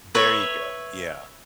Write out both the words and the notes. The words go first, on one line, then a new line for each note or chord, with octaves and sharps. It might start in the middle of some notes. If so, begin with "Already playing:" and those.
There you go, yeah.
B4 C#5 E5